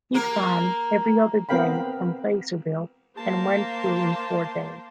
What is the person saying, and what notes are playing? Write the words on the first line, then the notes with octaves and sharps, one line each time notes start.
It ran every other day from Placerville and went through in four days.
A#3 A#4
B3 C4 A#4 F5 G5 B5
A#3 C5 A5